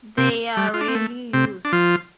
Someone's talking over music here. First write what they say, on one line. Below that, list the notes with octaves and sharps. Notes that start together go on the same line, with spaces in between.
They are rarely used.
C3 C4
G3
F4
D4
C4
A3
C3 C4
D4
F3 F4